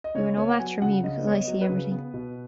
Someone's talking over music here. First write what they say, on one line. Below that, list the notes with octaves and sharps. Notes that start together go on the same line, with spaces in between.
You are no match for me because I see everything.
D#5
C#3 C#5
B3 C#5
F#5
F#3 G#5
C#3 F#5
C#3 D#5
B3 C#5
D#5
F#3
B4
C#3
B3
B2